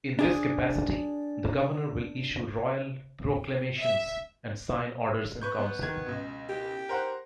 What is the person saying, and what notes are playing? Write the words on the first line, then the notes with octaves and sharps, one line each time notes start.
In this capacity, the governor will issue royal proclamations and sign orders in council.
D4 G#4
E5
B4 C#6 G6
B3
D#3 G#6
C#2 B2
G4
A#4 C5 F#5